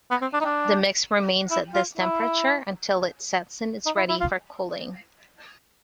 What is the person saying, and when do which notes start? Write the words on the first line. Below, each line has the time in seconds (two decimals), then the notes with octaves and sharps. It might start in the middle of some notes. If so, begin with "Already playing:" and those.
The mix remains at this temperature until it sets and is ready for cooling.
0.11 B3
0.22 C4
0.33 D4
0.41 D#4
0.45 D4
1.51 E4
1.74 F4
1.98 E4
3.86 D#4
3.97 E4
4.09 E4
4.21 F4